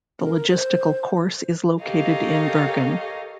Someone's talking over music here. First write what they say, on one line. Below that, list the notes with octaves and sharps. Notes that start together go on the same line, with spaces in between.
The logistical course is located in Bergen.
A#4
C5
G4 A4 A#4 C#5 D#5 F5